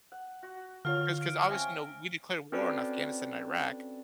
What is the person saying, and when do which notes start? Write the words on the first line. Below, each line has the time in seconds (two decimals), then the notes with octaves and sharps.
'Cause 'cause obvious you know, we declared war in Afghanistan, Iraq,
0.12 F#5
0.43 F#4
0.85 D3 F4 C#5 F5 F6
1.22 D7
1.49 C4 C#4 E5
2.52 C4 C#4 F#4 A4 B4 D5